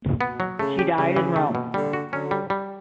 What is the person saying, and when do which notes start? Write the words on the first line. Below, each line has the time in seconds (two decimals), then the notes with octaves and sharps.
She died in Rome.
0.21 B2 B3
0.40 F#3
0.59 C#3 A3
0.79 G4
0.98 C#3 G3
1.16 E3
1.36 A3
1.55 B2
1.74 D3 G3
1.93 F#4
2.12 D3 F#3 C#4
2.31 G3
2.50 G3